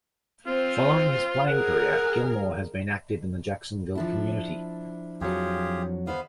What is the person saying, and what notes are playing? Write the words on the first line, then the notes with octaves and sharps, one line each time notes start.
Following his playing career, Gilmore has been active in the Jacksonville community.
C4 F4
G#4 A#4 F#5
F3 D4 E4
F2 F#3 F4 G4 G#4
D2 B3 B4 C5 F5